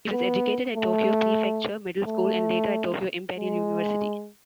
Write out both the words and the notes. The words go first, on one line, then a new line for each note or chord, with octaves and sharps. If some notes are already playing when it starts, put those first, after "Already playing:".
He was educated at Tokyo Prefecture Middle School and later at Tokyo Imperial University.
B3
A3
A3
G#3